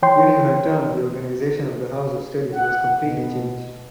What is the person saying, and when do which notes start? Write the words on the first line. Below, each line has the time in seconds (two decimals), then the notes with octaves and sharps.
During her term the organization of the house of studies was completely changed.
0.02 E3 C#5 G5 C6
2.54 F#5
3.03 B2